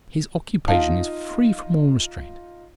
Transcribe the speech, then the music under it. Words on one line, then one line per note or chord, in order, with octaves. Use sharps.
His occupation is free from all restraint.
D#4 F4 F5 A5